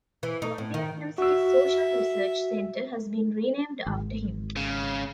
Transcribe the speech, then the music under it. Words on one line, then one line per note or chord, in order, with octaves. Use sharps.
Columbia University's social research center has been renamed after him.
E3
D#4
A2
D#3
F#4 E5 E6
G#1
C#3